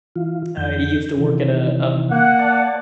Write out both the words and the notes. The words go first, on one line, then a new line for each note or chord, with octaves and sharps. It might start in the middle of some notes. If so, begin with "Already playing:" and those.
I used to work at a
E3 F4
F2 D#3 G6
C3 D#3 E3
A#3 F#5
D5 A5